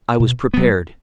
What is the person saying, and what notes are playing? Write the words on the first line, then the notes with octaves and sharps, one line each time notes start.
I was prepared.
B2
F#3 B3